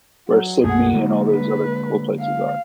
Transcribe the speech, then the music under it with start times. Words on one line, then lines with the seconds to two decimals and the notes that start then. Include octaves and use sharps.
where Sydney and all those other cool places are.
0.28 F#3
0.64 B1 F#2 A3 G#4 F#5
0.93 D3 F#3 G#3 A#3
1.31 B4
2.19 F5